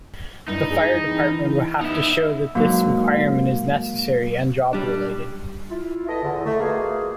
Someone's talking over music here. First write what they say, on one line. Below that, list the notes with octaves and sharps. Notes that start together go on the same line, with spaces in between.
The fire department would have to show that this requirement is necessary and job-related.
G2 D#4 E4
G#4
E3 C4
B3 D#4 E5
G#2 F#3 A#3
G3 D4
E4 F4
B3 E4 A4 D#5
E2 D3
A3
B2 A#3 F4 G#4